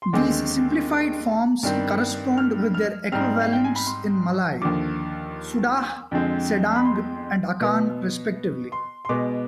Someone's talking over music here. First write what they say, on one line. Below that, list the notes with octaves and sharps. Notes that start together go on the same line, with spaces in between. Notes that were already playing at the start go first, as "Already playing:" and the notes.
These simplified forms correspond with their equivalents in Malay "sudah", "sedang", and "akan", respectively.
C6
D#2 D3 G#3 C4 D6
G2 D#3 G3 C4
F6
F6
G#2 G3 C4 F6
F5
G5
G#5
B5
C6
D#2 D3 F3 D6
F2 D3 F3 G#3 C4
B5
C6
B2 B3
C6
C6
B2 G#3 B3 D6